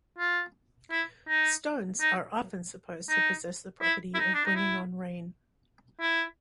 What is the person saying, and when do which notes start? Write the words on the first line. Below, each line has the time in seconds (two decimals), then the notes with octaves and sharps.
Stones are often supposed to possess the property of bringing on rain.
0.18 F4
0.91 E4
1.28 D#4
2.01 D#4
3.09 D#4
3.82 E4
4.14 E4
4.19 D#4
4.34 D4
4.45 D#4
4.55 E4
6.01 E4